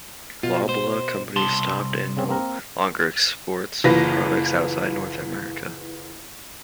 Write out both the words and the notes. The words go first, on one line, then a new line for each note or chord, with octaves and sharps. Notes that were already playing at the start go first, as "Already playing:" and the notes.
Loblaw Companies stopped and no longer exports the products outside North America.
B2 F4
C5
C2 A5 C6
C#3 C4 C#4
A#3 C4 A#4
F#1 E3 F4 B4 A#6